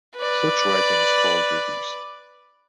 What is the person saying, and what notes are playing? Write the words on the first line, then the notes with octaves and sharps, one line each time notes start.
Such writing is called reduced.
B4 D5